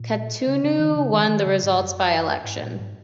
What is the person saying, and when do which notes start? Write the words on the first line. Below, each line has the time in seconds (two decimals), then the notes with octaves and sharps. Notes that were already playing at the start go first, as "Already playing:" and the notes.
Katuntu won the resulting by-election.
Already playing: A#2
0.47 C#3
0.64 C#3
0.79 D#3
0.96 C#3
1.13 D#3
1.29 D#3
1.46 C#3
1.63 G#2
1.78 F#2
2.44 G#2
2.62 A#2
2.79 G#2